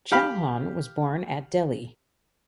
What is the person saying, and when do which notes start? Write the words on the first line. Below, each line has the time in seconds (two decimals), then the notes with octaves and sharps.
Chauhan was born at Delhi.
0.12 G4 F5 B5